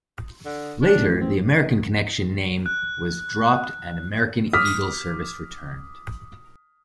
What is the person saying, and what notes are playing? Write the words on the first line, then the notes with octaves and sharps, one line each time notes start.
Later, the American Connection name was dropped and American Eagle service returned.
D3
D4
A1
C4
F#6
D6 D#6 F6 B6